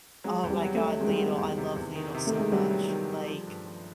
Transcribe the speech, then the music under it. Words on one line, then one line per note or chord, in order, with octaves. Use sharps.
Oh my god, Lidl, I love Lidl so much. Like,
F#3 G#3
E2
G3
F#3
A3
F#3
D#3 G#3
G3
F#3 G#3
E2
C3
E2
D#3
C3
A3
D#3
G#3
F#3 G3
F#3
D#3
F#3
F3
G2
F3